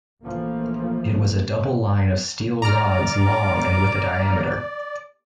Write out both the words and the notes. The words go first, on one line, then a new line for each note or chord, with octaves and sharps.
It was a double line of steel rods long and with a diameter.
A#1 A#2 E3 F3 A3 A#3
D5 A#5 D6 F6